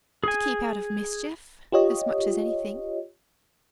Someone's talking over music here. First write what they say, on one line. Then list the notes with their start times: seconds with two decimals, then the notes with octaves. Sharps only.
'To keep out of mischief, as much as anything.'
0.24 G#4 G#5
1.72 F4 G4 C#5 D#5